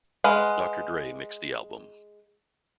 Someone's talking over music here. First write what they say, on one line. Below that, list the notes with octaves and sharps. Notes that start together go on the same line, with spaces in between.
Doctor Dre mixed the album.
G#3 B4 F5 F#5